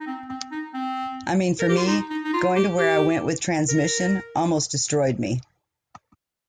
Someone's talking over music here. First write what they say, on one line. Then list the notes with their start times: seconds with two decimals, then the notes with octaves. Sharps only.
I mean for me, going to where I went with Transmission, almost destroyed me.
0.01 D#4
0.07 C4
0.29 C4
0.52 D#4
0.74 C4
1.60 A#4
1.69 G4
1.78 F4
1.87 D#4
2.10 D#4
2.24 D#4
2.34 F4
2.56 G4
2.78 G4
3.69 A#4